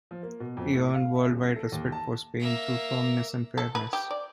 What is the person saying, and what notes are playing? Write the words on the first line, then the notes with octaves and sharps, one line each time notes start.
He earned worldwide respect for Spain through firmness and fairness.
F3
A#3
B2
F2
A2
F5
E5
D#1
A#6
A4
D#2
A5
A#3 E5
A4
B4
G4
D5